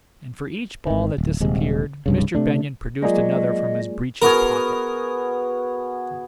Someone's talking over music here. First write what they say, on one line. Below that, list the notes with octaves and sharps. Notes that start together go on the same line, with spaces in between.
And for each ball that disappeared Mr. Benyon produced another from his breeches pocket.
G#1 D#3
D1
D#1 C3 G#3
C2 G2 C#3
C3 A3 D4
F#3 G#3 A#3 F4 G#4 D5 D#5
B3 F#4 G#4 A#4